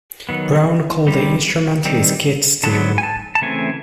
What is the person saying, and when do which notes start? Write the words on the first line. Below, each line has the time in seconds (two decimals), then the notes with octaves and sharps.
Brown called the instrument his "guit-steel".
0.29 D#3 F#3 B3
1.07 D#3 G3 C4
1.85 D#3 G3 C4
2.63 D3 F#3 B3 A5
2.98 G#5
3.03 A5
3.35 A5
3.42 C#3 E3 A3 C4 G#5